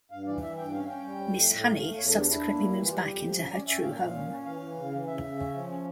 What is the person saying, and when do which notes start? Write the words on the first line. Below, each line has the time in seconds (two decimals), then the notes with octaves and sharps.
Miss Honey subsequently moves back into her true home.
0.11 G2 F5
0.26 E3 D5
0.42 E3 E5
0.58 G2 G5
0.73 C#4 F5
0.89 C#4 G5
1.04 G3 G5
1.20 F2
1.36 A3
1.50 A2
1.59 G5
1.66 A3 F5
1.81 A3 F5
1.97 E2 C#5
2.08 A4
2.13 D4
2.18 G4
2.28 D4 E4
2.44 A#3
2.59 G3
2.75 E3
2.85 F4
2.90 G3 G4
3.06 F2
3.21 F3
3.37 C#4
3.52 C#4 D5
3.67 C#4 E5
3.76 G5
3.83 A#2 F5
3.99 A#2
4.14 C#4
4.30 C#4
4.45 E3 F5
4.61 E3
4.76 C#3
4.92 E3
5.07 C#3 E5
5.23 C#3
5.38 C#4
5.54 F3
5.69 C#4